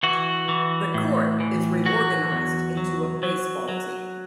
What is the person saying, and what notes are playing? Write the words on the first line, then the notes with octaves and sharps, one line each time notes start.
The Court is reorganized into a baseball team.
E3 F#4
E3
A2
E3
F#3 F#4
E2
F#3
F#3
F#3